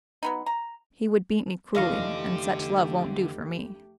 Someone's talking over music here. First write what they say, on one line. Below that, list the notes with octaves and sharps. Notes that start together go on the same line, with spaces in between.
He would beat me cruelly And such love won't do for me.
F#3 B3 D#4
A#5
F1 D3 E3 A3 G4 D#5 F5 C#6